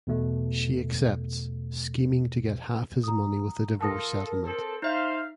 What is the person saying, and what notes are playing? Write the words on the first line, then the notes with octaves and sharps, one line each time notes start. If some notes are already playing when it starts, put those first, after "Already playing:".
She accepts, scheming to get half his money with a divorce settlement.
E2 B2 A3
A#5 D#6
F4 A4 A#4 A5 D#6 A#6
C4 A4
D#4 C5 E5 F5 G6